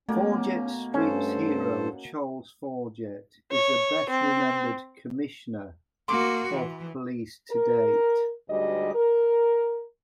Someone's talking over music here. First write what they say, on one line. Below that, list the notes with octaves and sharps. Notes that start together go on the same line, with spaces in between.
Forjett Street's Hero Charles Forjett is the best-remembered commissioner of police to date.
B2 A3 A#3 C#4
G2 C#4 A4 C5
C#5
C4
A#3 F#4 C6 D6
E3
A#4
D2 G#2 G3 D#5
A#4